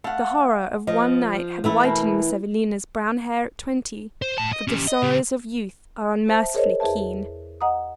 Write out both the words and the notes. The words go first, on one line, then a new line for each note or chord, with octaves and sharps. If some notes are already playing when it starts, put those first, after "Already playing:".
The horror of one night had whitened Miss Evelina's brown hair at twenty, for the sorrows of Youth are unmercifully keen.
A3 F5 F#5
F3 D#5
E3 A3 E4
B2 A#4
C5
A2 A5
D#5
C#4 G4
D#5
C#3 G4
C5 E5 A5
G#4 A#4 C5 C#5 D#5
E2 G#4 B4 E5 A5
D#5 F#5 A#5 D#6